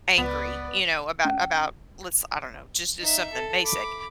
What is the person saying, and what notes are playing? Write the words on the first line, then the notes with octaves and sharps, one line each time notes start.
angry, you know, about about let's, I don't know, just just something basic.
C#2 B3 B4 D5
C#4
D#4 E5
A4
B5 D6